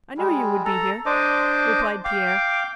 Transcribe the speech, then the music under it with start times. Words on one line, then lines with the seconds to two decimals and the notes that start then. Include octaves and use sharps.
"I knew you would be here," replied Pierre.
0.18 G3 G#3
0.65 A4 A#5
1.06 D4 C5 D#5 D6
2.05 F5 G5 D6